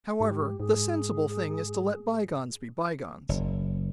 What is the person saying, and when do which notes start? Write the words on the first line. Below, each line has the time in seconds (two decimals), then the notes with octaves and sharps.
However, the sensible thing is to let bygones be bygones.
0.20 G#2 G4
0.60 G#2 G#4
3.29 F#1